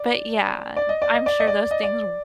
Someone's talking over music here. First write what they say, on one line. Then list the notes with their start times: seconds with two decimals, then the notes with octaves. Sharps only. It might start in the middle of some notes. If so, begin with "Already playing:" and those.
but, yeah. I'm sure those things w
Already playing: D5
0.76 D5
0.89 D#5
1.02 D5
1.13 D#5
1.26 D5
1.40 D#5
1.47 D5
1.71 D#5
1.83 D5